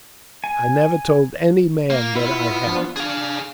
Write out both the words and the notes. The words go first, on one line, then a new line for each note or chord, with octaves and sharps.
"I never told any man that I had it."
G#5
A#3
B3 E4 F4
F3 D4 F4
D4 G#4 F5